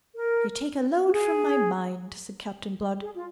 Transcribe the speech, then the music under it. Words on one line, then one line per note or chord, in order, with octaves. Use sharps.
"You take a load from my mind," said Captain Blood.
A#4
F#4
G#4
G#4
F4